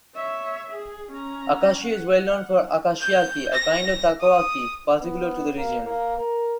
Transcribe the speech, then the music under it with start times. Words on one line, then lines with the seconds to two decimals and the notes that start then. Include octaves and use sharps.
Akashi is well known for "Akashiyaki", a kind of "takoyaki" particular to the region.
0.15 C#5 E5
0.70 G#4
1.12 C#4 A#5
1.81 F#5
3.00 G6
3.53 A#6
4.21 D#6
5.00 B3
5.56 A#3
5.86 A#3
6.18 A#4